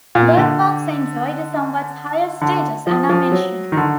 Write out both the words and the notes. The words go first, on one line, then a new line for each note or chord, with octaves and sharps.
Birthmarks enjoyed a somewhat higher status, and are mentioned.
A#2
D3
D3
F3
F3
F#3
D#3
D3